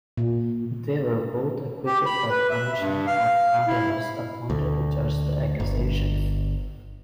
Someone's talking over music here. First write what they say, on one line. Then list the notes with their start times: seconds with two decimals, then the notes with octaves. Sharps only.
They were both acquitted by the Commission of Cardinals appointed to judge the accusations.
0.17 A#2
1.86 G4
2.06 B5
2.30 B4
2.50 E5
2.78 G2
3.07 F5
3.68 E4
4.50 D2
5.60 G1